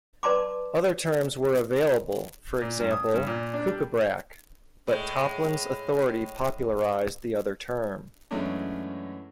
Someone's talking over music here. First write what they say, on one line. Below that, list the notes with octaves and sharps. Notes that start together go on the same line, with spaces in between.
Other terms were available, for example, "Kukabrak", but Taplin's authority popularized the other term.
B4 D5 A5 C6 D6
A#2
G2
D#6
G2
A#2
D4
G3
A2 G#3
F#2 E3 G#3 A3 C#4 D4